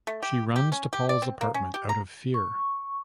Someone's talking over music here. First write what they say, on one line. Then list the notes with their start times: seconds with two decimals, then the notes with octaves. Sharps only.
She runs to Paul's apartment out of fear.
0.07 A3
0.23 G4
0.56 G4
0.72 C#4
0.93 G4
1.09 D5
1.22 C4
1.41 A#3
1.54 C#4
1.74 G4
1.89 A#5
2.34 C#6